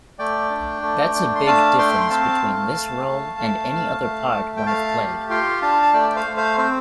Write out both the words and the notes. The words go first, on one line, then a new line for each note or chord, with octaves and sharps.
That's a big difference between this role and any other part one've played.
A3 D5 G5
D4
A3
D4
C6
A3 F5 A5
A3 G5 C6
C6
C4 F5 A5
A3
A3
A3
A3
A3
A3
A3
G5
A3 F5 A5
G4
F4 G5 C6
D4 F5 A5
A5
A3 D5 G5
G5
C5 F5
A3
C5 F5
C4 C5